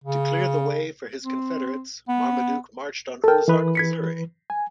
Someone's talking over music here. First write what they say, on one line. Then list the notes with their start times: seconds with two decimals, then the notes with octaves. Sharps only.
To clear the way for his Confederates, Marmaduke marched on Ozark, Missouri.
0.04 C#3
1.23 C4
2.08 B3
3.24 A4 A#4 G5 A5
3.48 E3 B4
3.75 G#6 B6 C#7
4.50 G#5